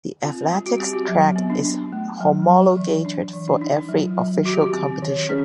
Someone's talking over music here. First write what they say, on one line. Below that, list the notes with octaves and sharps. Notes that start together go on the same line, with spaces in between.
The athletics track is homologated for every official competition.
C4 F4
G3
F#4
C4 G4
F#4
F#3
B3
D4
D4
A3
F#3
F#3
E3
D4
E3
D4
D4 D#4
F#3
F4
F#3
D#3 F#4
G4
F#4
C4
D#3
C#4 G#4